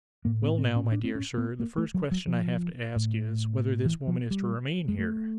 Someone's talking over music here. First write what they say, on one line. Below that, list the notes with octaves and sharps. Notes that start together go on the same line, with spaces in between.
Well now, my dear Sir, the first question I have to ask, is, whether this woman is to remain here?'
A2 A#3
B3
C4
C#4
D4
C4
C#4
B3
A#3
A3
F#3
F#3
F3
A2
E3
F3
G3
G#3
A3